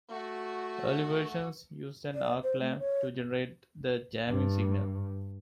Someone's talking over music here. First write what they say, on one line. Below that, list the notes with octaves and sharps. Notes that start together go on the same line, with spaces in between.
Early versions used an arc lamp to generate the jamming signal.
A3 F#4
D5
C5
A3
C#5
G2